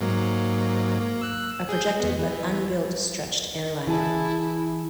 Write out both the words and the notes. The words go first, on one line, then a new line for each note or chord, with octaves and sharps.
A projected but unbuilt stretched airliner.
G#2 F#3 A#3
A#3
E6 F#6
G#4 G6
E2 B3
E3
E3 E4 G#4 A5